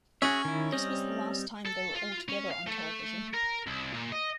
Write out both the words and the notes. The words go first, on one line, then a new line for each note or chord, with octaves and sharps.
This was the last time they were all together on television.
C#4 F#4 G#4 E5
D#3 E4
G3 C4 D#5
A4
F4
C#4
F5
A3
A#4
C2
A#2
D#5